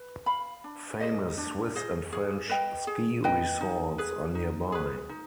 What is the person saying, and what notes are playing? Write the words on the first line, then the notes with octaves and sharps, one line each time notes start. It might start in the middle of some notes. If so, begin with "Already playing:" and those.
Famous Swiss and French ski resorts are nearby.
Already playing: B4
F5 B5
D4
G#4 C5 D#5
D4
G#4 C5 D#5
G#4
B4 D#5 G5
G#4
B4 D#5 G5
D#4
G#4 B4
D#4
G#4 B4
D#4